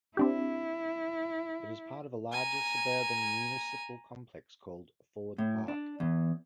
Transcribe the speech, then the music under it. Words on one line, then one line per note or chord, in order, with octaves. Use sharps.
It is part of a larger suburban municipal complex called Ford Park.
C4 D4 E4 G4
G#5 A#5
A2
D4
E2